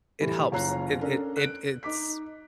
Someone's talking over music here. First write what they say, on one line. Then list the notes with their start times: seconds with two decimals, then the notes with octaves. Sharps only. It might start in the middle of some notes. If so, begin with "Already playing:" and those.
it helps. It it it it's
0.21 A2 E3 G3
0.52 F#1 F4 C#5 A#5 F#6 C7
1.01 C#4 D4 A4 A#4
1.37 F#6 D7
1.83 D#4 D6 B6